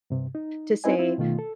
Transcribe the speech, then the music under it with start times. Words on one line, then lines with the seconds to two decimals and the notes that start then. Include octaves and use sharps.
to say,
0.10 G2 C3
0.35 D#4
0.84 C4 D#4 E4 B4 D#5 G#5
0.99 C4 E4 F4
1.18 B2 D#3 A3 F4
1.39 A4